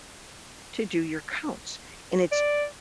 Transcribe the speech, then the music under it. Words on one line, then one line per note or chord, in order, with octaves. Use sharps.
to do your counts. And it's
D5